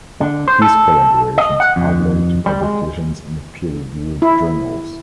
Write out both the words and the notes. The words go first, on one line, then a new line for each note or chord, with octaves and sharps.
These collaborations have led to publications in peer-reviewed journals.
D3
C5
A4
D#5
F#5
F2
G3
G#3
E4